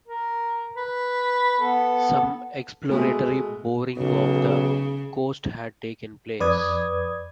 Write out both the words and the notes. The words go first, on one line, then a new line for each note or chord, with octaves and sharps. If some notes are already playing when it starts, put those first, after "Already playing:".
Some exploratory boring off the coast had taken place.
A#4
B4
B3 A4
B2 G#3 A3
B1 C#3
F2 B4 D5 D#6 G#6